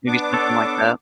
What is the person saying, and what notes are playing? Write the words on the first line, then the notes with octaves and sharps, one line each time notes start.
maybe something like that?
B3 D4 D6
A4 C#5